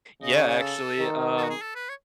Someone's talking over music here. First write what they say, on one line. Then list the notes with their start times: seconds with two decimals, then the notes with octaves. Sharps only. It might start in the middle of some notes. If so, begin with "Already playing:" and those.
Yeah, actually, um,
0.22 C#3 D#5
0.35 C#5
0.48 C#5
0.61 A4
0.99 D#3
1.37 A4
1.43 F#4
1.50 G#4
1.62 A4
1.75 B4
1.89 C#5